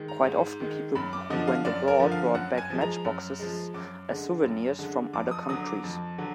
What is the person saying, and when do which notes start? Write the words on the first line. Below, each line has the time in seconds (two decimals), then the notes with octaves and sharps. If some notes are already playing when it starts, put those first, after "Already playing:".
Quite often people who went abroad brought back matchboxes as souvenirs from other countries.
Already playing: D#3 G#3
0.08 A#5
0.26 G#2
0.60 D#3 G#3
0.95 F#2 B5
1.13 D6
1.30 D3 F3 D#5
1.47 F5
1.65 F#2 D5
1.88 A#4
2.00 D3 F3
2.11 F5
2.35 F#2 F#5
2.58 G#5
2.70 F3 G#3
2.81 A#5
3.05 F#2
3.39 F3 G#3
3.74 F#2 D6
4.09 D3 G#3
4.44 F#2
4.79 D3 G#3
5.13 F2 D6
5.31 D#6
5.49 D3 F#3 D#6
5.66 D6
5.84 F2
6.18 D3 F#3